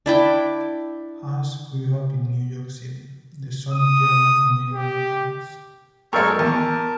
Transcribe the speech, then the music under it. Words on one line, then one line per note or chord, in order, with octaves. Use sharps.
Huss grew up in New York City, the son of German immigrant parents.
D4 E4 G5
D#6
G4
F#2 G#3 A4 A#4 C#6
E2 A#4 A5